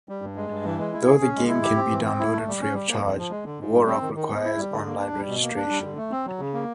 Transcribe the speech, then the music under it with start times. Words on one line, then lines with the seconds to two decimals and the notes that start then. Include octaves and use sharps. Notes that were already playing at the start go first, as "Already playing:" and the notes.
Though the game can be downloaded free of charge, War Rock requires online registration.
0.09 G3
0.22 G2
0.36 G#3
0.50 G2
0.65 E3
0.79 G#3
0.93 E4
1.07 G#4
1.21 C#4
1.35 G#3
1.48 E4
1.63 G4
1.76 C4
1.91 E3
2.04 C4
2.19 E4
2.33 A3
2.48 G3
2.61 C#4
2.74 G3
2.89 A#3
3.03 F2
3.18 F3
3.31 G#3
3.45 D3
3.60 G#2
3.74 G3
3.87 C4
4.02 D#3
4.15 D#3
4.29 B3
4.44 E4
4.57 G3
4.72 D3
4.86 A#3
4.99 D4
5.14 G3
5.28 B2
5.41 A#3
5.56 D4
5.70 G3
5.83 D3
5.97 A3
6.11 C4
6.26 F#3
6.40 C#3
6.54 A#3